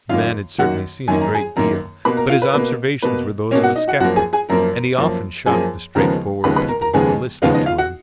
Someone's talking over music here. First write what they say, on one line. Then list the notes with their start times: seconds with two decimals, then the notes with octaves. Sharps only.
The man had certainly seen a great deal, but his observations were those of a skeptic, and he often shocked the straightforward people who were listening to him.
0.09 F#2 D#3 A#3 F4 F5
0.58 F#2 D#3 A#3 F#4 F#5
1.08 F#2 D#3 A#3 G#5
1.21 A#5
1.35 G#4 G#5
1.56 F#2 D#3 A#3 A#4 A#5
2.05 B2 A#3 B4 B5
2.17 A#4 A#5
2.30 F4 F5
2.42 B4
2.53 B2 A#3 B4
3.02 B2 A#3 B4
3.51 A#3 C#4 C#5
3.55 B2
3.63 F#4 F#5
3.76 D#4 D#5
3.88 F#4 F#5
4.00 F#2 F3 A#3 F#4 F#5
4.16 G#4 G#5
4.33 G#4 G#5
4.49 F#2 F3 A#3 A#4 A#5
4.98 F#2 F3 A#3
5.46 F#2 F3 A#3 G#4 G#5
5.95 D#2 C#3 F3 G#3 B3 A#4 A#5
6.44 D#2 C#3 F3 G#3 B3 B4 B5
6.56 B4 B5
6.69 A#4 A#5
6.81 A#4 A#5
6.93 D#2 C#3 F3 G#3 B3 G#4 G#5
7.42 D#2 C#3 F3 G#3 B3 F4 F5
7.54 D#4 D#5
7.66 F4 F5
7.78 F#4 F#5